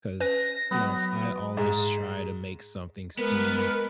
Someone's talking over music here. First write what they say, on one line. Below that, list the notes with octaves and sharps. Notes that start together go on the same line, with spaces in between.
'cause, you know, I always try to make something seem
C#4 B4 A#6
F#3 B3
G#2
G#3 B3 A#4 B4